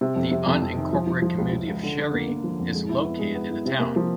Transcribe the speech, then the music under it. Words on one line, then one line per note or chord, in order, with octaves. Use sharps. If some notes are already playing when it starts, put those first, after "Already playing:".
The unincorporated community of Sherry is located in the town.
C3
F2
C3
F2
F2
D#3
F3
F3
F3
C#2
F3
C#2
D3
D3
A#3
A#3
F3
F2
G#3
E4
B3
G#3
B3
E4
C3
A#3
F3